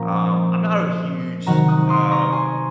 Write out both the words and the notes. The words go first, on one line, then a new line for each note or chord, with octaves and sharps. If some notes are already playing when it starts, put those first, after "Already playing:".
um, I'm not a huge, t uh
Already playing: A#2 F3 A#3 C#4 A#5
C3 D#3 F#3 F#5 A#5
D#6 F#6
C6 D#6
A#5 C#6
G#5 C6